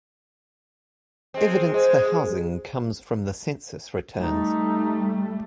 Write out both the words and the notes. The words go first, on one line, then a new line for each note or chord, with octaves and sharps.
Evidence for housing comes from the census returns.
G#3 C4
G#3 C5
G3 A3 D#4